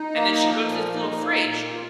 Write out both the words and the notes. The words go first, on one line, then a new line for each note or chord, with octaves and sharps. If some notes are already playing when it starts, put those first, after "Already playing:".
And then she goes to this little fridge,
Already playing: D#4
A#3
F3
A#2
D#4
A#3
A#2
F4